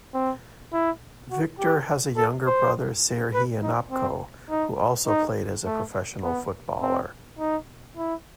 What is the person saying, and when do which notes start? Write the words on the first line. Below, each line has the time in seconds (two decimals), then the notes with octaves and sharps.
Viktor has a younger brother Serhiy Onopko who also played as a professional footballer.
0.14 C4
0.73 E4
1.31 F#4
1.59 G4
2.17 A4
2.47 C5
3.34 B4
3.63 D#4
3.91 C4
4.50 D#4
5.07 D#4
5.66 A3
6.24 B3
6.81 C4
7.39 D#4
7.97 E4